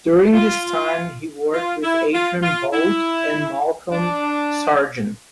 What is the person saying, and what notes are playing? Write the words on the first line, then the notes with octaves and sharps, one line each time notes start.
During this time he worked with Adrian Boult and Malcolm Sargent.
F4
F4
E4
F4
F4
E4
D4